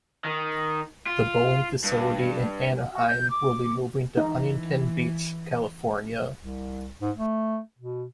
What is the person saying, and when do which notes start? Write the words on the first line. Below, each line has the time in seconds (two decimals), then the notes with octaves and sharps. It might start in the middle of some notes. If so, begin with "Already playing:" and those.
The Boeing facility in Anaheim will be moving to Huntington Beach, California.
0.25 D#3
1.06 F4
1.84 G2
2.92 F#4
3.05 G6
3.30 D6
4.17 E3 D#4
6.37 C2
7.01 G#2
7.16 A3
7.79 B2